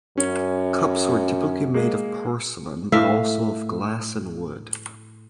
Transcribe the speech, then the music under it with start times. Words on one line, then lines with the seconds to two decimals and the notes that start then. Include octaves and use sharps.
Cups were typically made of porcelain, but also of glass and wood.
0.17 F#2 C#4
1.74 G#3 A#3
2.92 A2 E5 F5